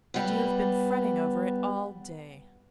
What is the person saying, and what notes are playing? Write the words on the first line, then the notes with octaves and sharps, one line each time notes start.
'And you have been fretting over it all day.
G3 B3